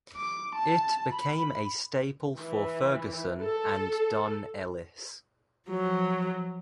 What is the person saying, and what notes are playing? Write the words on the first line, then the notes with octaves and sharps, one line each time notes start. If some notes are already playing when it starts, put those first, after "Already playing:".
It became a staple for Ferguson and Don Ellis.
D6
A5
B5
E3
A4
F3 F#3